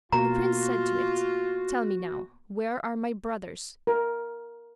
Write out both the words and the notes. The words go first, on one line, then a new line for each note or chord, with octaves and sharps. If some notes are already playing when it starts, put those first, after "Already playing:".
The prince said to it: "Tell me now, where are my brothers?"
B2 A#3 F4 F#4 A#5
A#4